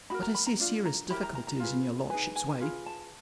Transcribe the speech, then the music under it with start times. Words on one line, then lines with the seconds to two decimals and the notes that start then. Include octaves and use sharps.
But I see serious difficulties in your lordship's way.
0.10 D#4 F#4 A#4 B5
0.22 A#5
0.35 B5
0.47 A#5
0.60 D4 F4
0.85 A#5
1.10 E4 G4 A#4 B5
1.23 A#5
1.35 A#5
1.47 A#5
1.60 F4 G#4 B4
2.10 D#4 G#4 B4 G#5
2.36 G#5
2.60 F4 G#4 B4
2.86 A5